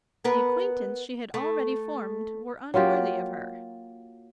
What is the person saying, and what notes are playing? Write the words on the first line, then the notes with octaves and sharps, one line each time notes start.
The acquaintance she had already formed were unworthy of her.
B3 A#4 B4
A3
F#3 A#3 F4 G4